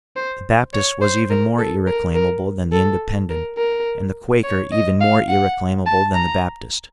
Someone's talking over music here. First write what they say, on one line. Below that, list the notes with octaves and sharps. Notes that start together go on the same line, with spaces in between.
The Baptist was even more irreclaimable than the Independent, and the Quaker even more irreclaimable than the Baptist.
C5
C#5
C5
A#4
A4
A#4
A#4
A4
A#4
A#4
C#5
D#5
F5
F#5
A5
A#5